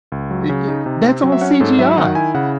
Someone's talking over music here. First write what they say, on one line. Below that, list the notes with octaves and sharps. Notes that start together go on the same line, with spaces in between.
i y that's all CGI.
C#2
F#3
C#3
D#4
C3
C4
F#3
E5
C#4 F#5
G#2 A4
F#3 E5
D#3 F#5
E4 G#5
C#3 F#5